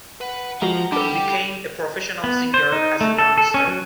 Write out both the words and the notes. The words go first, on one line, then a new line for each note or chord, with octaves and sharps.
He became a professional singer as a youngster.
B4 F#5
F3 G#3 F#4 A#5
G3 D4 G4 A4
B3
C5
D#4
A3
A4
A4
C#4
F#3